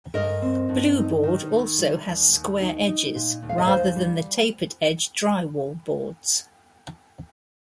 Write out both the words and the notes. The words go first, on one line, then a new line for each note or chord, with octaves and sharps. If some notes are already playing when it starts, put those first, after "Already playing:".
Blueboard also has square edges rather than the tapered-edge drywall boards.
G2 A#4 D#5
C4
G2
D#4
D#3
D#3
G3
D#2
D#2
D#4
D#4
A#2
D#2
F5
D#5
D#2 C5 F5
G3